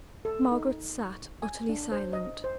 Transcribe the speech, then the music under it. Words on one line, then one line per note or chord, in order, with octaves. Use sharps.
Margaret sat utterly silent.
A4
D#4
C#6
G#5
D4
C5
D#5
C5